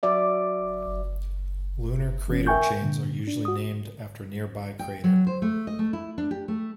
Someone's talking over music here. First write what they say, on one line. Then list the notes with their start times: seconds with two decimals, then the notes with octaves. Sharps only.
Lunar crater chains are usually named after nearby crater.
0.03 F#3 F#4 D5 E5
2.28 E3 C#4
2.47 A#4 E5 G5 G#5 C#6 G6
2.82 A#2 D3
3.27 D4
3.45 F#4 D#6
4.79 G5
5.04 F#3
5.27 C5
5.42 A3
5.67 D#5
5.79 A3
5.93 E4
6.18 D4
6.31 G4
6.48 A3